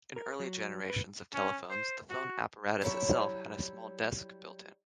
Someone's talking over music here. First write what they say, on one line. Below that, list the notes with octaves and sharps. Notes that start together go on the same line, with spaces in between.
In early generations of telephones the phone apparatus itself had a small desk built-in.
A#4
F#3
B4
C#4
C5
F#4
F#3 G3 E4 C#5 E5